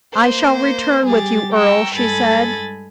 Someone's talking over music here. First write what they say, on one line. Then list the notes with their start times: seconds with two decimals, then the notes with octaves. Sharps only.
"I shall return with you, Earle," she said.
0.15 A#3 C5
1.06 G3 G4 G#4 A6
1.53 G5 A#5 C#6 E6
1.95 G2 G#3 A4 G#5 B5 A6